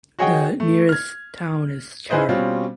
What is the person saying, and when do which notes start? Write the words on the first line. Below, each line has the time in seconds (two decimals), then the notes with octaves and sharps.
The nearest town is Chara.
0.19 F#4 G#4 C#5 D#5 F#5 G5
0.60 A3
0.89 F6 G#6
2.10 D#4 E4 G#4 B4 C5 D#5
2.29 B2 G3 C4 C#4 F4